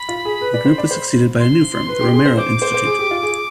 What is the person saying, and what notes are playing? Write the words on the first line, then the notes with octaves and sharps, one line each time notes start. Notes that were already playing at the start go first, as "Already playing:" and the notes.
The group was succeeded by a new firm, the Romero Institute.
Already playing: B5
F4
G#4
B4
D5
C5
D5
C5
C6
B4
G4
G#4
C5
C5 D6
C5
C5
G#4
G4
F4
G#4